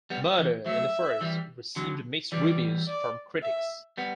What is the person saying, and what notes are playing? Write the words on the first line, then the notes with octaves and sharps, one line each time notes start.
"Murder in the First" received mixed reviews from critics.
G3 B3
E3 G3
F#3 A3 E5
E3 G3
D3 F#3
E3 G3 D5
D5
E5
G3 B3